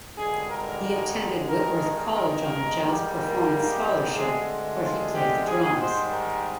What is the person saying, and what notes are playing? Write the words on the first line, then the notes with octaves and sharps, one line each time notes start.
He attended Whitworth College on a jazz performance scholarship, where he played the drums.
G#1 G2 D3 G#3 G#4
A#4
G2 D#3 G#3 A#4
A#4
G#2 D#3 G3 A#3
A#4
D2 D3 G#3 C4 G#4
F4
G4
G#2 D#3 G3 G#4
C5
A#4